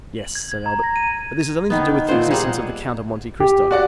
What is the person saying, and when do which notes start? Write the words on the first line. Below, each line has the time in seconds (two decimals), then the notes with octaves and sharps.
"Yes," said Albert, "but this has nothing to do with the existence of the Count of Monte Cristo."
0.17 F#7
0.35 G#6
0.52 G#6
0.66 A#5
0.83 A#6
0.96 D#7
1.70 D#3 B3
2.07 A#2 F3 C5 F#5
2.31 G3 D#4 G#4 F#5
3.40 G4
3.71 F#4 D5 F#5